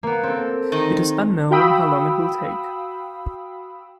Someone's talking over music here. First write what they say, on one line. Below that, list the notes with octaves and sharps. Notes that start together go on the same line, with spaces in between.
It is unknown how long it will take.
A#3 B3
C4 A4
D#3 D#4
F#4 F5 G5 B5 D#6 E6